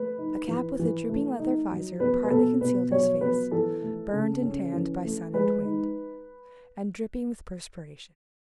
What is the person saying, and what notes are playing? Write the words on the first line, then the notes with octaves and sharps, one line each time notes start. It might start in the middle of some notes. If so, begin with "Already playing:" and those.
A cap with a drooping leather visor partly concealed his face, burned and tanned by sun and wind, and dripping with perspiration.
Already playing: A3 B4
D#4
E3
E3
A3
D#4
F#3
B3 B4
B4
B2 A4
B2 B4
F#3 C#5
B3 B4
E3 A4
A3
C#3
C#4
E3
A3
G#3 B4
D#4